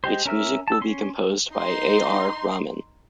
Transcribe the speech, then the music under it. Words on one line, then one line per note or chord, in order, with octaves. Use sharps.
Its music will be composed by A. R. Rahman.
G#3 G4 C5
C#4 A#4 E5 F6
A5 E6
C#4 C6
D#4 C6